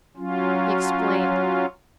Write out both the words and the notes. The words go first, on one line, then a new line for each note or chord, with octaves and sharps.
He explained.
F#3 C#4 F4